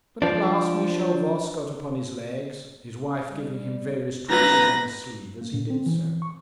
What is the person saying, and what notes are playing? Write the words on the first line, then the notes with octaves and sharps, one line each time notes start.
But at last Michel Voss got upon his legs, his wife giving him various twitches on the sleeve as he did so.
F3 D4
G3
B4 A#5 A#6
A#3
A#2
C4
E3
E3
C#6